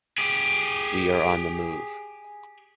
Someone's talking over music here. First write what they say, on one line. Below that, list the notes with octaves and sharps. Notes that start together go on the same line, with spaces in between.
We are on the move.
G4 G#4